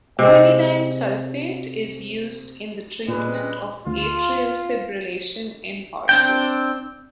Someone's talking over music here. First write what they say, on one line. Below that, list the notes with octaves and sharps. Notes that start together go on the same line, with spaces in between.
Quinidine sulfate is used in the treatment of atrial fibrillation in horses.
C3 G#3 C4
A#2 G3 G#3 B4
D2 F4
C4 D4 G5